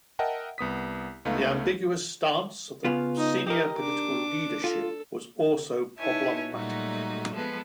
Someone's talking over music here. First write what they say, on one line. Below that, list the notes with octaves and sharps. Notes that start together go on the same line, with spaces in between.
The ambiguous stance of the senior political leadership was also problematic.
A#4 D#5 E5 F#5 G5 A5
C2 B3 D#6 B6
C#2 A3 B3 D#4 F5
C#3 B3 F4
D#4 D#5
G4 A#4 D#5
D4 D6
F4 A4
D#4 E4 B4 C#5 G#5 A5
A#2 F#3 G3 A3 D#4 F#4
F3 G#3 B3 G#4 A4 B4